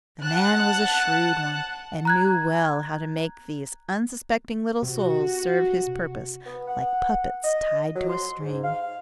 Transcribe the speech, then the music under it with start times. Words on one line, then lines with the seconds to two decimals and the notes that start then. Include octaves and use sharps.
The man was a shrewd one, and knew well how to make these unsuspecting little souls serve his purpose, like puppets tied to a string.
0.24 F#5 A5 F#6
2.05 A#5 F#6 G#6
4.83 C3 F#4
6.46 B3
6.68 F#5
7.44 D#5
7.96 F#3
8.09 C6
8.40 G#2
8.64 F5